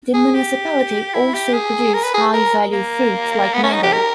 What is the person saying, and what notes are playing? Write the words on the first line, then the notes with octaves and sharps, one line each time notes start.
The municipality also produces high value fruits like mango.
G#4
G4
E4
G4
G#4
A#4
B4
G#4
A#4
A#3
B3
C#4
D#4
G4
A#4